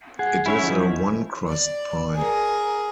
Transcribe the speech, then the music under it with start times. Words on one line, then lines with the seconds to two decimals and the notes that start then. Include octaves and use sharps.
It is a one-crust pie.
0.19 G#4 F#5
0.46 C#4 E4 C#5 E5
0.64 F3 D#4 E4
1.48 D5
2.16 G#4 A#4